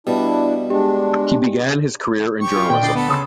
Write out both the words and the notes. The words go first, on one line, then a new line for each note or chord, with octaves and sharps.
He began his career in journalism.
B2 G3 D4 E4
G#3 D4 G4
C#4 G4 C#6
F4
A#2 D5 G5
D2 D5 D#5 C6
B3 A4 B4
C#3 C6 D#6 E6